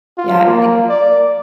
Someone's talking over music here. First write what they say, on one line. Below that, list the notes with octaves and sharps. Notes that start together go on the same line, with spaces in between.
Yeah. I
F4
A#3
D5